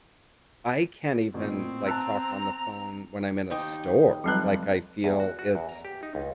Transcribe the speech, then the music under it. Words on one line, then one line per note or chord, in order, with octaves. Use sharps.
I can't even, like, talk on the phone when I'm in a store, like, I feel it's
A1 A#2 C4
A5 A#5 E6 F#6
D#2 D#4 G5
F1 F#3 G3 B4 A5 F#6
E2
F#4
F#4
E2
A#5
G4
D#4
C#2